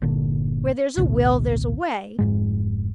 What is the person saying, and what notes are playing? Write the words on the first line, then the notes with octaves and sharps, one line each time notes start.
Where there's a will, there's a way.
G1 A#2 D3
A1 D2 B2
F1 G#2 G#3